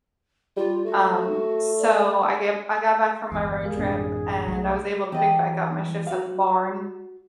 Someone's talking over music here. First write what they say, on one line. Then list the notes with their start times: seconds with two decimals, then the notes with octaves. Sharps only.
Um, so, I get I got back from my road trip and I was able to pick back up my shifts at the barn.
0.57 G3 F4
0.85 A3 F#4
1.78 D5
3.32 G1 E2
3.63 G#3 G#4 A#4 F5
3.78 A1 F#2 B2 C4 D4
4.48 B1 F#3 A3
5.12 E2 G4 B4 D#5 A5
6.07 F#4 F5